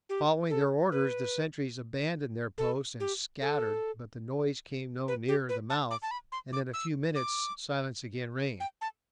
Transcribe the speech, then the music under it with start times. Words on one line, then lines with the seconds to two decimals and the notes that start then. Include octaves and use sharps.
Following their orders the sentries abandoned their posts and scattered, but the noise came no nearer the mouth, and in a few minutes silence again reigned.
0.09 G4
0.50 A4
0.92 B4
2.58 A4
3.00 G4
3.41 A4
5.08 B4
5.28 G4
5.49 B4
5.70 A5
5.91 D6
6.02 A5
6.11 B5
6.32 C6
6.53 D6
6.74 E6
7.16 D6
8.60 G5
8.81 A5